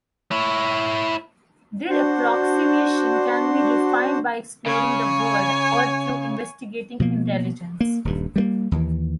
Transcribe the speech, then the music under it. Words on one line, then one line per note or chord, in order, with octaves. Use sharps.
Their approximation can be refined by exploring the world or through investigating intelligence.
E4 C#5
D4 F#4 C5
C#3 C#5 G#5
B2 F3 A#3
A#3
D#1 G2
G3 G#3 A#3
D#2 E3